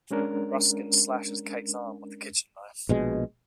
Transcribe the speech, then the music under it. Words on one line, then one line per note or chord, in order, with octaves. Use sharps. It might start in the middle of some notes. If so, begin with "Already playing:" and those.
Ruskin slashes Kate's arm with a kitchen knife.
G#3 C#4 D4 A#4
A#1 B2 G#3